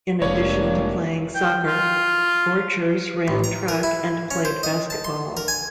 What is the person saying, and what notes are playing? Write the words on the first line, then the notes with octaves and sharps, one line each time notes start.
In addition to playing soccer, Borchers ran track and played basketball.
F1 G3 G#3 A#3 D4 C#5 F5
G5
F4
A1
A#5
A#4
E4
C#4
C5
D#5
A5
C6
A#4
G#5